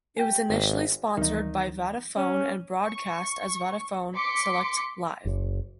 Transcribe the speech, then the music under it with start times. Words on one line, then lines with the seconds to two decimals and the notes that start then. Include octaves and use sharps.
It was initially sponsored by Vodafone and broadcast as Vodafone Select Live.
0.17 G4 G#5
0.49 G#1
1.17 D2 D#3 E3 G3 D#4
2.17 C#4
2.85 C#6
4.16 C6 D6 B6 C#7
5.25 F#1